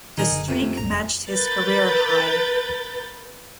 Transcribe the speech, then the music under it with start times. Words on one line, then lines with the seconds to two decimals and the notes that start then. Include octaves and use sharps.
The streak matched his career high.
0.18 A#2 D#3 D#4 G#4 A#4
0.30 F#1 D3
0.48 F2 C3
0.62 A3
0.77 E1 A1 C#4 A#5
0.90 F1
1.31 A#4 B4 G6 A6